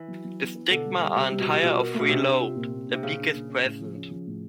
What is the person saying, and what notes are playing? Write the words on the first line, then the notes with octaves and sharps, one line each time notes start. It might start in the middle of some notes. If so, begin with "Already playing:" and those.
The stigma are entire or three-lobed; a beak is present.
Already playing: E3
F#3
F#3
B3
B3
B2 D3
G3
G3
C3 G3
G3
B2
C3 G3
B2 F4
A#4
B2 A3
C3 D4
D4
F4
A#2
A#3
D4
C3
A#2 C#3
D4
A#2
C#4
A2
F3
C#4
F3
A2